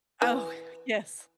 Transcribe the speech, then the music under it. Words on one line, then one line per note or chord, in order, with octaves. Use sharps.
Oh, yes.
E3